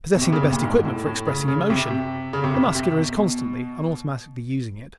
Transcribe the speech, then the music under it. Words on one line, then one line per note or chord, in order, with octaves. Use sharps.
Possessing the best equipment for expressing emotion, the Muscular is constantly and automatically using it.
B2
C3
C#3
C3
A#2
G#2
A2
A2
C#3
C#3
C3
C3
C#3
C3
C3
C3
B2
B2